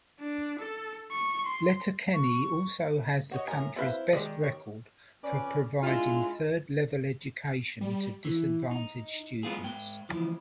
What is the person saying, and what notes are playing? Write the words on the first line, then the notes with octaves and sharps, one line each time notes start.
Letterkenny also has the country's best record for providing third-level education to disadvantaged students.
D4
A4
C#6
C6
C#6
F#4 C#5 D#5
A2 A#4 G#5
C4 E4 B4 C5 F5
D#3 G#3 G4 D5
C#5
F2 C#4 B4 D5
G#3 D4 E4 F4
G3
E3
D#4
G#3 B3 F4 G#4
G#2 G5
C#2 E3 F3